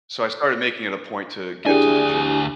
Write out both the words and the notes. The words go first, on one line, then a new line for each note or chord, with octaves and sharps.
So I started making it a point to get to the gym.
D2 D4 E4 G4 G#4 G#5